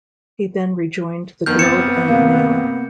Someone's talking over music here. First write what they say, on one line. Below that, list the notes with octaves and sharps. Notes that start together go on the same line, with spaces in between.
He then rejoined the "Globe and Mail".
F2 D#3 B3 F6 G6
G1 C4 G#6 A6 C#7 E7
C3 A#3